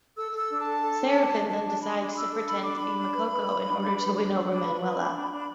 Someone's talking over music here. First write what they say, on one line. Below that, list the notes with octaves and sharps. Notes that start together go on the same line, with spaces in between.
Serafin then decides to pretend to be Macoco in order to win over Manuela.
A4 E6
A4
E6
D4
A5
A4
A4
D4
D4
D4
D4 A5
D4
D4 B5
D4
D4 E6
A4
D4 B5
D4 D6
D4 B5
D4
B4
B4
B4
D4
D4
B4
D4 B5
D4
D4
B4
B4
D4
D4
D4